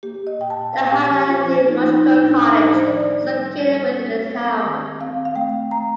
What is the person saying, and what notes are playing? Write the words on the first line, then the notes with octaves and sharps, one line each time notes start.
The Highland Theological College is located within the town.
A#3 G4
D#5
A#2 G5
A5
A#2 F5
G4
F3 G4
F4
F3 F4
D#4
A#3
D#4
A2 D4
D#4
F3
C5
D#3 D5
G3
G3
G3
C4
D#3
C4 F5
F5
A3 G5
A3 A#5